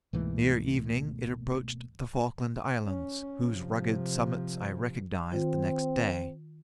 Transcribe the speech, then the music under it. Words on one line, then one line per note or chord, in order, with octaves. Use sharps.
Near evening it approached the Falkland Islands, whose rugged summits I recognized the next day.
C#2 G#2 B2 E3 A3 A#3
C#4
C3 F3
D#3 C4 F4